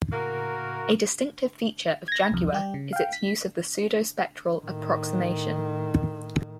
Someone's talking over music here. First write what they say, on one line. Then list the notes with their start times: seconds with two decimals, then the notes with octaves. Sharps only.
A distinctive feature of Jaguar is its use of the pseudospectral approximation.
0.12 A2 C#3 A#3 F#4 A#4 F6
2.08 G#6 A#6
2.32 C2 F2
2.53 G3 G4
2.74 C#3
2.93 F5 G5
3.13 B6
4.62 A2 D#3